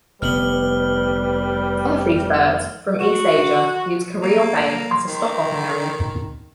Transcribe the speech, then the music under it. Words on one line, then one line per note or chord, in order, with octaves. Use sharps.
Some of these birds, from East-Asia, use Careel Bay as a stop off area.
F1 G3 B3 B4 F6 F#7 G7
F#4
A#3
C6
D#3